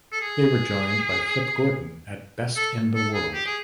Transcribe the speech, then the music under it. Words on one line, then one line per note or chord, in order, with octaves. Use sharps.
They were joined by Flip Gordon at Best in the World.
A4
G#4
A4
A4
G#4
G4
G#4